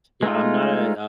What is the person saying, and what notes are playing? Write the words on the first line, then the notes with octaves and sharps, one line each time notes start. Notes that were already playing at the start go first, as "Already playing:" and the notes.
Yeah, I'm not a
G#3 A3 D#4 F4